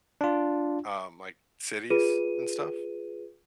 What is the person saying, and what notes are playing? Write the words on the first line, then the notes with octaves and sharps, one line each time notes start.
um, like, cities and stuff
D4 F4
F4 G#4 B4 D#7